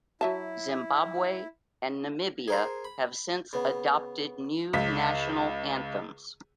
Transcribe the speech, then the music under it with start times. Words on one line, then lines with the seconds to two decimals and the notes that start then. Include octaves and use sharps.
Zimbabwe and Namibia have since adopted new national anthems.
0.21 F#3 E4 E5 A5
2.48 G#4 A#4 C5
2.85 B5
3.53 C#3 B3
4.73 C#2 B6